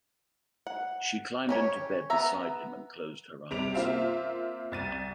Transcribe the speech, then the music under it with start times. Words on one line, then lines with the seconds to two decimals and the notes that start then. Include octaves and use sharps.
She climbed into bed beside him and closed her eyes.
0.67 F#5
1.49 C#4 G4 C#5
2.10 B3 E5 A#5
3.51 C3 G3 D7 F7
3.74 A#3 C4 F4 C5 E5 F5
4.72 C2 A6 D#7